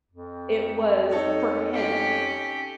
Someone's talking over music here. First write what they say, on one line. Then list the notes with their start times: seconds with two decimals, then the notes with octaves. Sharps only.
it was for him,
0.12 F2
1.11 D#4 A4 C#5
1.74 C#4 G4